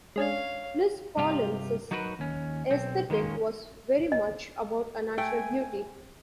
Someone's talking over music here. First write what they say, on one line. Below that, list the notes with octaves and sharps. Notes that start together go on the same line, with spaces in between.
Liz Collins's aesthetic was very much about a natural beauty.
G#3 C#4 D4 C#5 F5
G2 C3 F4 G4
F#3 D#4 F#4 A#4 B4
D#2 C#4
B1 C4
D#3 G#3 A#3 C#4 C6
D#5
A3 G5 G#5